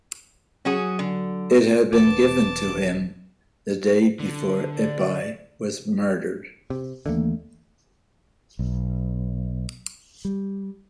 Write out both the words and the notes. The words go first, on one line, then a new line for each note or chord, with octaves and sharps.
It had been given to him the day before Ippei was murdered.
F#3 C#4 F#4 G#4
D3
E1 B3 A5 D6
D3
D5
C3
D#2 D3 E3 A3 A#3
B1
G3